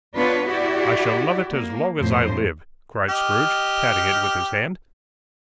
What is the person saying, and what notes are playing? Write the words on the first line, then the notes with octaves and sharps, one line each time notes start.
'I shall love it as long as I live!' cried Scrooge, patting it with his hand.
B3 D4 F4 B4 C#5
E4 F#4 G4 D5
A#3
F2 A2 C5
G4 D#5 F6